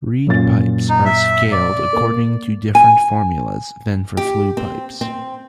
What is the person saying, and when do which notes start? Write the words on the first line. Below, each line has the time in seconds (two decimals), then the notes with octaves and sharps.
Reed pipes are scaled according to different formulas than for flue pipes.
0.27 F#2 A#2 A6
0.89 D#4
1.05 E5
1.52 D5
1.93 A#3
2.75 G#5
4.17 G4
4.57 C4
5.01 C4